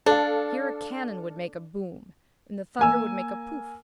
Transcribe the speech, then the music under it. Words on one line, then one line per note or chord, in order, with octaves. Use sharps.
Here a cannon would make a boum, and the thunder would make a pouf.
D4 A4 F5
A#3 G#5 E6